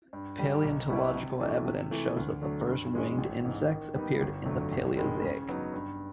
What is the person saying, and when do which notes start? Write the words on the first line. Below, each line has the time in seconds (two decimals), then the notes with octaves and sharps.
Paleontological evidence shows that the first winged insects appeared in the Paleozoic.
0.13 G2
0.38 D3 G3
0.63 B1
0.89 B2 G3 B3 E4
1.14 C3
1.40 E3 A3 D4 F#4
1.65 C3
1.91 E3 A3
2.17 D2
2.42 D3 F#3 A3
2.68 G2
2.93 E3 G#3 C#4
3.18 A1
3.45 G#2 E3
3.69 D#3
3.95 G3 B3 D#4
4.21 G1
4.46 F2 D3 F#3 A3
4.72 A1
4.96 G2 D#3 G#3
5.22 C#3
5.48 F#3 B3 D#4
5.74 G2